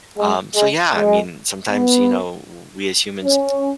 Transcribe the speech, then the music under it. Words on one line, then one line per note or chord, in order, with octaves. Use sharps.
Um, so, yeah, I mean, sometimes, you know, w we as humans
G#3
G#3
G#3
B3
C#4